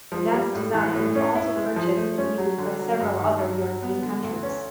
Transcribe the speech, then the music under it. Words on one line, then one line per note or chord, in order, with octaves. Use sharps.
The gun's design was also purchased and used by several other European countries.
F3
G3
A2
E3
A2
C#4
E4
G#3
F3
A3
C#4
F#3
D3
F#3
G2
D#3
G2
F#3
B3
D3
D2
C#4